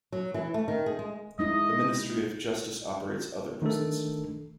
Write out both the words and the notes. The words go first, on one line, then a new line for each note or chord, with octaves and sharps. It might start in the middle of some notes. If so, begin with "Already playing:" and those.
The Ministry of Justice operates other prisons.
F#3
E3
A3
D#3
G#4
G#3
G#3 D#4 E4 D#5
D#3 A3 D4 A4